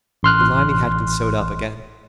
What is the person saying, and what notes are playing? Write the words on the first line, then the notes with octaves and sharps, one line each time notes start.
The lining had been sewed up again.
A1 C6 F6 F#6